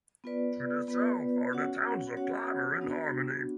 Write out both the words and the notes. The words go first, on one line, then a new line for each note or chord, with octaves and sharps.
To the south are the towns of Clymer and Harmony.
B3 F4 B4 D5
B3 F4 B4 D5
C#4 F#4 C#5 F#5
C#4 F#4 C#5 F#5
B3 D4 F#4